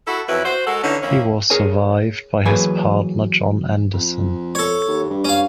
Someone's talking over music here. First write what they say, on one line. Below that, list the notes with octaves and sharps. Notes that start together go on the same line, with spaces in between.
He was survived by his partner John Anderson.
E4 F#4 A4
F2 F#3 E4 B4
F#4 C5
G#3 F#4 A4 A#4 F#5
D3 E3 C#4 D#4 E4
F2 A#3 C#4 E4
G#4 A#4 C#5 G#5
E3 F#3 A#3 G#4 B4 G#5
F2
A4 C#5
D#2
G2
C#4 F5